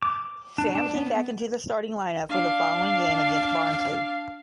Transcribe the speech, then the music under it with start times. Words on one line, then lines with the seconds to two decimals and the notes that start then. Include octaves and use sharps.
Sam came back into the starting lineup for the following game against Barnsley.
0.02 D6
0.58 D4
0.75 D4
0.95 B3
2.30 D4 F5